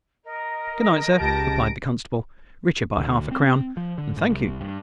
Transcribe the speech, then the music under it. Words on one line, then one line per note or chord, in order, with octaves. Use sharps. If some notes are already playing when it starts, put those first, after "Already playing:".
"Good-night, sir," replied the constable, richer by half-a-crown--"and thank you."
A#4 D#5
C#2 G4 A5 A#6 D7
D2
C4
F3
D3
G#2
C2
G2